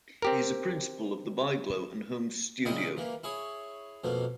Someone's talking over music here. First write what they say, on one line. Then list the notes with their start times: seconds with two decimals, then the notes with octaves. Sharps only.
He is a principal of the Bigelow and Holmes studio.
0.22 C4 G4 A#4
2.65 A#2 C#3 E4 D#5 G5 D#6
2.97 E3 A#3
3.23 E4 G#4 C#5
4.04 F2 B2 A#3